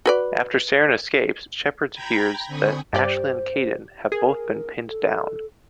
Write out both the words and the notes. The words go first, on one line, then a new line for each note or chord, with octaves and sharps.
After Saren escapes, Shepard hears that Ashley and Kaidan have both been pinned down.
F#4 B4 D5
G5 A#5 B5 G6 G#6 A#6
D3 C4 G#5 B5 C#6 D#6
G2 G4 C5 D5
G#4 A#4
A4